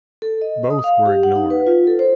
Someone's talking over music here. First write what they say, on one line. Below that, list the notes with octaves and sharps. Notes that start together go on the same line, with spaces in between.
Both were ignored.
A4
D#5
D#6
F5
G4
F#5
D#4
B4
F4
A4
C5